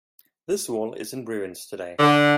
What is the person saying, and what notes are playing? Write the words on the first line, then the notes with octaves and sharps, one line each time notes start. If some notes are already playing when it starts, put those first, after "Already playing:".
This wall is in ruins today.
D3